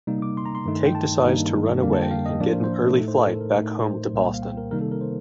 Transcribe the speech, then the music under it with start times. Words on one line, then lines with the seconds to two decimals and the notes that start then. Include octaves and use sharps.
Kate decides to run away and get an early flight back home to Boston.
0.07 C3 G3 A#3 D#4
0.22 D6
0.37 C6
0.45 A#5
0.55 C6
0.65 G2 D#3 A3 D#4
0.86 G5
0.95 A5
1.24 G2 D#3 G3 A#3 D#4
1.82 F2 D3 G3 A#3 D4
1.93 A5
2.02 G5
2.11 F5
2.26 D#5
2.40 A2 F3 A#3 D4 D5
2.48 C5
2.55 A#4
2.64 C5
2.98 A2 A3 D#4 A4
3.08 C5
3.17 A4
3.26 A#4
3.41 A#4
3.56 A2 A3 D#4
3.85 C5
4.13 C2 A#2 G3 A#3
4.34 F5
4.42 G5
4.57 A#4
4.71 C3 D#3 G3 A#3 D#4 A#4
4.81 A4
4.92 A#4
5.01 C5